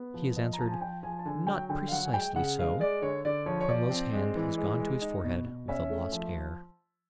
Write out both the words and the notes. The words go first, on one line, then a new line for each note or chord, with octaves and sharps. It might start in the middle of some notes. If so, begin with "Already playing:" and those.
He has answered, 'Not precisely so.' Twemlow's hand has gone to his forehead with a lost air.
Already playing: B3
F3
F3 D#5
A#5
F3 A5
G#5
F3 G5
F3 G#5
A5
D3 G#5
F#3 G5
D3 G5
F5
F#3 F#5
G#5
G#3 G5
C#3 F#5
G#3 F5
G#3 D5
D3 C#5
D3 D5
F3 C#5
C#5
F3 D5
C4
G#3
E3
G#3
G#3
D#4
B2
B2
C#4 E5
A3
F3